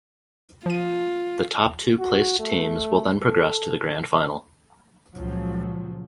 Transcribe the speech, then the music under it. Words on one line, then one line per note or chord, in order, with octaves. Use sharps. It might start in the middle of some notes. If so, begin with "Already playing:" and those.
The top two placed teams will then progress to the Grand Final.
F3 F4 D#7
F#4
A3
A4
C#2 A#2 F3 F#3